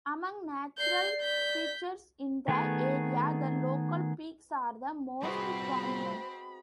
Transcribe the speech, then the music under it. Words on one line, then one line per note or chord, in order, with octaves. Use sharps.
Among natural features in the area, the local peaks are the most prominent.
D5 G6 C7
G6 B6
D#3 A3 B3 G#4
G3 G#3 B3 C4 F4 F#4 G#4 B5